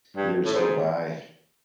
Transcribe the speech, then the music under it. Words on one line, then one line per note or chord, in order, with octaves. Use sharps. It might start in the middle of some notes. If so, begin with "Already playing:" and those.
years go by,
G2
A2
G#2